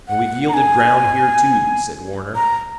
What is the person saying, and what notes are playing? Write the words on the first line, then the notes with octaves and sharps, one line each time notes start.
"And we've yielded ground here, too," said Warner.
F#5
A#5
G#5
A#5